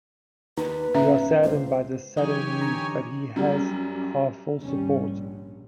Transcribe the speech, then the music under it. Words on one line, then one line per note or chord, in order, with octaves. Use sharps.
We are saddened by this sudden news but he has our full support.
D#2 D#4 B4
G1 A#2 C#4 E5 A#5
C#2 C5
F#2 E3 D#4 G4 C#5 G#5
D3 A#5 C#6
F#2 G3
D#2 G#2 C3 G3 C#4
A#1